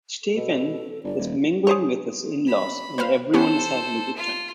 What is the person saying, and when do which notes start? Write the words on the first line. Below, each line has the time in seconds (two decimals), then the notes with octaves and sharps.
Stephen is mingling with his in-laws and everyone is having a good time.
0.23 A4
0.37 B2
1.04 G1 D5
1.19 D#1
1.67 G#4 C5 C#5
2.47 B5
2.98 B4 C5 F5
3.34 B3 C#4 G4 A4 C5
4.16 F4